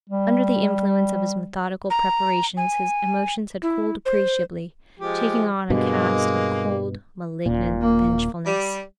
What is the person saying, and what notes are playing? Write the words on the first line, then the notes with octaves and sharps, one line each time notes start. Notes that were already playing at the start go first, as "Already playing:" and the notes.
Under the influence of his methodical preparations, his emotions had cooled appreciably, taking on a cast of cold malignant vengefulness.
G3
A#5
G#5
E4
C5
F3 G#3 G4
G2 B2 G#3 A#3
D#1 A#2
A#3
G3